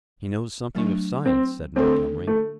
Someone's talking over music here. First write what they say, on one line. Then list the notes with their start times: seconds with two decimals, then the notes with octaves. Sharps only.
"He knows something of science," said Montgomery.
0.75 F#3 A3 D4
1.26 C4
1.76 D3 A3 C4 D4 A4
2.27 A3